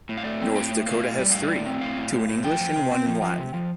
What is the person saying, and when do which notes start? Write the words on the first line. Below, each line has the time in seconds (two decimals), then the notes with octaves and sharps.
North Dakota has three, two in English and one in Latin.
0.09 A2
0.17 F5
0.24 A3 D5
0.41 C4
0.55 A2 G5
0.72 A3
0.87 A2 F5
1.03 A2
1.19 G3 D5
1.32 A2 F5
1.43 D5
1.51 A2
1.66 C4
1.81 A2 F5
1.97 A2
2.13 A2
2.29 A2
2.44 F3 G5
2.60 F3
2.76 C3
2.91 C4
3.06 F3
3.22 F3
3.38 C3
3.54 F3